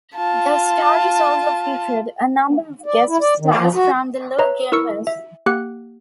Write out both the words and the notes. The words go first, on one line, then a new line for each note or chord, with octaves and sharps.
The stories also featured a number of guest-stars from the Lug universe.
F4 A5
D5
E4
D5
D#3
F3
F#4
B4 C#5 E5 A#5
E4 A#4 C#6 E6 C#7
E5
A#3 G4 F#5 F#6 C#7